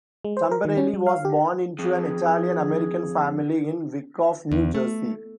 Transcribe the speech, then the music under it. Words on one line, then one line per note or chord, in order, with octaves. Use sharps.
Tamberelli was born into an Italian American family in Wyckoff, New Jersey.
G#3
C5
A#4
D#3
C#4
G3
F5
G4
F2 G#4
E2
A3